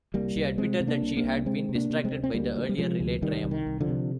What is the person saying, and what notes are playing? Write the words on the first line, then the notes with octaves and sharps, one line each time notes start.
She admitted that she had been distracted by the earlier relay triumph.
C2 G3 A#3
C2
C3 G#3 C4
C3
A#3 D4
C2
A#3 D4
C2
C3 G#3 C4
C3
A#3 D4
C3
G#3 C4
D2
C4
D2 G3 A#3
D2
G3
C3 F3 G#3
D2
C2 D#3 G3
C2
D#3
C2
D3 F3
C3